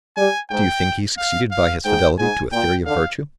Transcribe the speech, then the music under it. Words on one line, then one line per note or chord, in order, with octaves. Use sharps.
Do you think he succeeded by his fidelity to a theory of virtue?
G3 G#5
G#2 G5
F5
F5
G#2 G5
G#2 G#5
A#2 G5
D3 F5